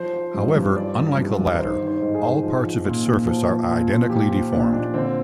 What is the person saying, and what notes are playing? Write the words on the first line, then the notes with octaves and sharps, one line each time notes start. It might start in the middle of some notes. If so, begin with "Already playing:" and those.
However, unlike the latter, all parts of its surface are identically deformed.
Already playing: F3 C5
F3
G2
G2
F3 D5
F3
G2
G2
A#4
D#3 C5
D#3
C5
G#2
G#4
G#2
F3
F3
A#2
A#2
F3
F3
A#2
A#2
F3 G4
F3
A#2 D4
A#2 D4
D3 C4